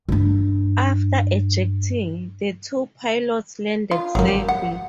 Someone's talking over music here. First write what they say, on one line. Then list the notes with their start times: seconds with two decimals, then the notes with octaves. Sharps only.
After ejecting, the two pilots landed safely.
0.09 G2 D4
3.91 F4
4.15 G#1 F#2 F#3 A#3
4.28 G4
4.48 F#5